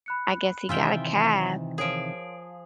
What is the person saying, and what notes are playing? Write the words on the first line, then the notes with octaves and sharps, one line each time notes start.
I guess he got a cab
B5 F#6 C#7
C3 D#3 E3 F4 E5 G5 C6
F3 G#4 A#4 C#5 D7